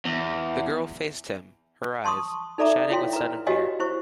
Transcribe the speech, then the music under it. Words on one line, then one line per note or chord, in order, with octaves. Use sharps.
The girl faced him, her eyes shining with sudden fear.
E2
A5 C6 C#6 D#6
D#4 A4 D5 E5 A#5 D6
E4 F4 C#5 F5 G5 C6
B4 A#5
F#4 G4 C#5 D#5 F5 G#5
E4 C5 C#6